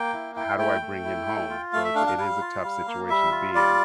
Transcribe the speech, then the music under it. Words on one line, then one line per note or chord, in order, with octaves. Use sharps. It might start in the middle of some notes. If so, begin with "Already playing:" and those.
h how do I bring him home? So it's it is a tough situation to be in.
Already playing: A#3 G5
E4
E4 G5
A3 G5
A3
E4
A3
F4
A3 F5
E5
D4 F5
F5
G3 F5
F4
G3
A#3
G3 E5
F4
G3 D5